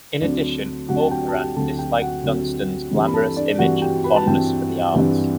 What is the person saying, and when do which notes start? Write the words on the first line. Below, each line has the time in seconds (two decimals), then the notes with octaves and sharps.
In addition, Corcoran disliked Dunstan's glamorous image and fondness for the arts.
0.21 D2 D3 F#3 C4 D4 D5
0.89 D2 D3 F#3 C4 F#4 F#5
1.00 A5
1.11 G4 G5
1.28 A5
1.34 G4 G5
1.56 D2 D3 F#3 C4 A4 A5
1.79 G4 G5
2.01 F#4 F#5
2.23 D2 D3 F#3 C4
2.91 G2 E3 G3 C4
3.07 B5
3.14 A4 A5
3.37 D4 D5
3.59 G2 E3 G3 C4 F#4 F#5
3.82 G4 G5
4.04 B4 B5
4.16 A5
4.26 G2 E3 G3 C4 G4 G5
4.94 G2 E3 G3 C4